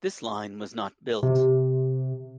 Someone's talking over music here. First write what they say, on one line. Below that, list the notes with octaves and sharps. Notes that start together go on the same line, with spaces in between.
This line was not built.
C3